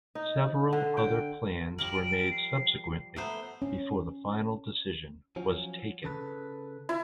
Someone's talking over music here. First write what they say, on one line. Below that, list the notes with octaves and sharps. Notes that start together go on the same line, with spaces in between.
Several other plans were made subsequently before the final decision was taken.
D#4
D3
G5
F3 G3 A#4 F#7
D7
C7
A3 B3 C5 A#5
C#4
F3 F#3 C#4
C#3 A4 B4
E4